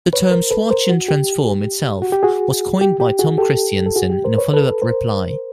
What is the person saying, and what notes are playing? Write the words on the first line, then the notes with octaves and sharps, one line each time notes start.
The term "Schwartzian Transform" itself was coined by Tom Christiansen in a follow-up reply.
B4 C#5
A#4 C5
A4 B4
A#4 C5
F#4
G4
F#4
G4
F#4 G#4
G4
G4
F#4 G#4
G4 A4
A4
F#4 G#4
G4
A#4 C5
B4 C#5
A4 B4
A#4 C5